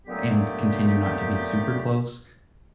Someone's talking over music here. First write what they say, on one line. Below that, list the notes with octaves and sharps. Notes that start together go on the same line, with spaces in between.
and continue not to be super close.
A#2 D3 F#3 A3 B3 G4